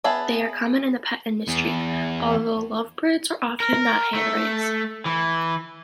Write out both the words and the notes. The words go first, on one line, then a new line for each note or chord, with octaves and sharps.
They are common in the pet industry, although lovebirds are often not hand-raised.
B3 G#4 B4 E5 A5
E2
A#4
A3
E3